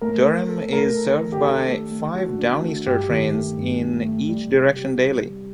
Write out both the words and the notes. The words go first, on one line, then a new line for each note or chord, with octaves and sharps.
Durham is served by five "Downeaster" trains in each direction daily.
A3 A#4
A3
A4
A3 A#4
A4
D#3
G4
D4 A4
A3
A3
F#4
D4
A3
G2 G4
D#3
A3
G2
G2
A3
G3
C3
G4